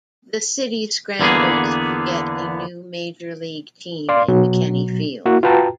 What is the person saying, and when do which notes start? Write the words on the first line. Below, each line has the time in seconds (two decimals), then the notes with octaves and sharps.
The city scrambled to get a new major league team in McKechnie Field.
1.20 E2 D3 A#3 B3 G#4
4.09 D5 F5 C6
4.28 B2 F#3
5.26 A#3 E4 F#4
5.43 F4 F#4 B4 G5 A5 A#5